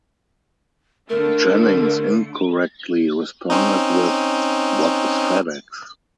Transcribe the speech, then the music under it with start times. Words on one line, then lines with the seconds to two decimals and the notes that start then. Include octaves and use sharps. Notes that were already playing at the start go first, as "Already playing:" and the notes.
Jennings incorrectly responded with What is FedEx?
1.09 D3 A3 A#4
3.50 C4 C#4 D#4